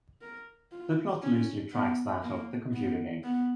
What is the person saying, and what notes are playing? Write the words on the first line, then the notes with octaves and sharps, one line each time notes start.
The plot loosely tracks that of the computer game.
A#4
F4
C#4
B3
A#3
B3
B3